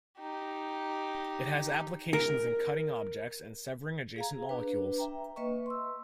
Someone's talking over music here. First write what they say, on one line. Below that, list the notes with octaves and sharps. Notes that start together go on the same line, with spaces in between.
It has applications in cutting objects and severing adjacent molecules.
D#4 G4
A#4
G#4 F5 A#5
D4 B4
E5 G5 A#5
A#3 B4 D#5 E5 C#6
C6 E6